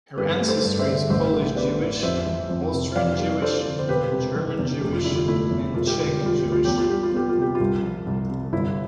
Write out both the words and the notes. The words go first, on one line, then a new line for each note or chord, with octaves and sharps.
Her ancestry is Polish-Jewish, Austrian-Jewish, German-Jewish, and Czech-Jewish.
G2 G4 B4
A3
A4 C5
G2
C5 E5
D3
A1 C5 E5
G3
B3 B4 D5
A2
F2 C5 E5
E3
F2
C3
F2 D5 F5
G3
D4 A4 C5
D3
C5
E1 G4 B4
C3
E3
E2
F1 G4
F4
D3 E4
F4
A3 E4
E2
E1 F4
G4
D3 F4
G4
G3
F4
G4
D2
F4
E2 G4
F4
G3 G4
F4
B3 G4
F4
C3 G4
F4
C2
F3
C2
C3
G1 E4